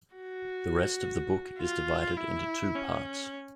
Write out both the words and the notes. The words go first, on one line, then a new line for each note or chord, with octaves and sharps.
The rest of the book is divided into two parts.
F#4
F4
E4
C#4